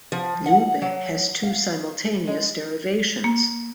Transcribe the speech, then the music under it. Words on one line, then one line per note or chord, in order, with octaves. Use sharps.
"Lyube" has two simultaneous derivations.
F3
F#5
F#3
F5
G#3
A#3